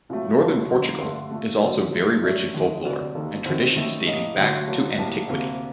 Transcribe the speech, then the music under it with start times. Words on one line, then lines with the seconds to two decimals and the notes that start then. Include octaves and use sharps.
Northern Portugal is also very rich in folklore and traditions dating back to antiquity.
0.09 C2 A#2 F#3 A3
0.39 D#2 D3 F#3 A3 A#5
0.71 F#2 D3 F#3 A#3
1.00 G2 D3 A3 C6
1.31 A#2 A3
1.62 F#2 D3 F#3 D5
1.93 F#2 D3 A3
2.23 F#2 F#3 A3 D5
2.54 D#2 D#3 G3
2.84 D2 C3 F#3 D5
3.00 D5
3.15 D#2 D#3 G3 A#3 A4
3.45 C2 C3 D#3 C5
3.75 F#2 D#3 A3
4.06 A2 G3 A#3 D#5
4.37 D2 D3 F#3 A3 F#5
4.68 D2 D3 F#3 A#3
4.98 A2 G3 A#3 A5
5.29 D2 C3 G3 A#3